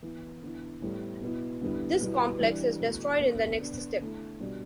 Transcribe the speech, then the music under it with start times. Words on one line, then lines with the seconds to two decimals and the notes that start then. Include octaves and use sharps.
This complex is destroyed in the next step.
0.02 E3 B3 E4
0.42 D3 B3 E4
0.82 A2 G3 B3
1.22 B2 B3 E4
1.61 D3 G3 B3 E4
2.01 B2 G3 B3 E4
2.40 E3 G3 D4
2.80 B2 A3 E4
3.21 B2 B3 D4
3.60 D3 B3 D4
4.01 D3 A3 E4
4.40 B2 G3 D4